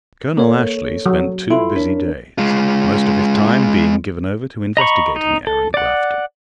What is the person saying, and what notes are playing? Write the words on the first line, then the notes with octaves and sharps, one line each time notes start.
Colonel Ashley spent two busy days, most of his time being given over to investigating Aaron Grafton.
A#3 A4 C#5
F#3
E4 F4 A4 C6
D4 A#4 C#5
G#3 F4
D#5 A#5 B5 C#6
D#4
A4
D5 F#5